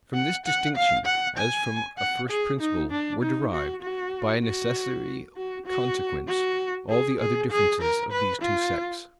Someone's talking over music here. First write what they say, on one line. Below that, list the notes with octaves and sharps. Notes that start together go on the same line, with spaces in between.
From this distinction, as from a first principle, were derived, by a necessary consequence, all the other differences of these two sects.
F#5
F#5
F5
F#5
G#5
F#5
G#4
D#4
D4
D#4
F#4
F#4
F#4
F#4
F#4
F#4
G#4
G#4
G#4
A#4
B4
F4